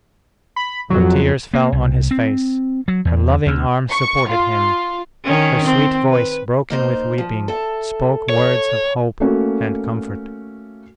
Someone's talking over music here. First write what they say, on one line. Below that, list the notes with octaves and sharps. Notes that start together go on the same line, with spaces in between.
Her tears fell on his face, her loving arms supported him; her sweet voice, broken with weeping, spoke words of hope and comfort.
B5
F2 F#3
A#3
C2
C4
F#3
E2
D2
C#6
F4
D#3 C#4
C4
B4
A#3 D#4 C5
F3
A4 E5
C#5
A3 A#3 C#4 F#4